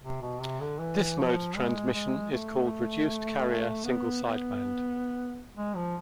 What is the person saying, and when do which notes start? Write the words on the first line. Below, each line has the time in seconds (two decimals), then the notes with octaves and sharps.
This mode of transmission is called reduced-carrier single-sideband.
0.03 C3
0.22 B2
0.41 C3
0.60 D3
0.79 E3
1.17 F3
1.56 G#3
1.93 G#3
2.32 A3
3.84 B3
4.23 B3
5.57 G#3
5.76 F3